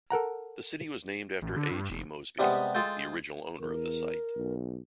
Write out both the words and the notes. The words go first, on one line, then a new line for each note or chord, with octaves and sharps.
The city was named after A. G. Mosby, the original owner of the site.
A4 A#4 F#5 A#5
A1
D3
G2
F1
C3 G3 G#3 B3
G#3 F4 A4 G5
E2 A#4
B1